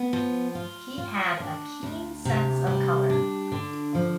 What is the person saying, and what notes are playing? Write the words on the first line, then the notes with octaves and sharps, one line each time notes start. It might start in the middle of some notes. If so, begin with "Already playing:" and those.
He had a keen sense of color.
Already playing: B3
F3
F4
F4
D4
D2
C3
G3
D4
D3
F3